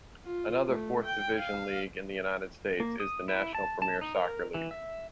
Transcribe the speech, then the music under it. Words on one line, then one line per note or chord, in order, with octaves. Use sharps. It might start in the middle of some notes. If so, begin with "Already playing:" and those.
Another fourth-division league in the United States is the National Premier Soccer League.
F4
A3
G5
F5
A#3
D#6
E4
A5
A5
D#4
A#4
E3
E5